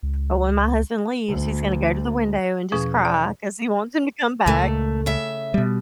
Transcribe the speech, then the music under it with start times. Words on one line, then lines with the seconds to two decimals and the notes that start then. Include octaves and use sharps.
but when my husband leaves, he's gonna go to the window and just cry 'cause he wants him to come back,
0.03 C#2
1.28 D2
2.72 E2 B2 F3 C#4 G#4
3.05 D5
4.46 C#2 A#2 A3
5.06 C#3 E5
5.54 B2 G3